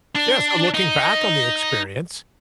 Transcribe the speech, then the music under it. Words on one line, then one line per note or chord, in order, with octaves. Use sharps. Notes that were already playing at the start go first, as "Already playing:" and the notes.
Yes, so looking back on the experience,
D4
D#4